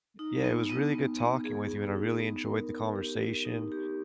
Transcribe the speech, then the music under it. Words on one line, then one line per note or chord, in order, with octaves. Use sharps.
Yeah, it was really good talking with you, and I really enjoyed the conversation.
D#4
B3
B3
B3
B3
G#4
B3
D#4
B3
A#4
A#4
G4
G4
D#4
G4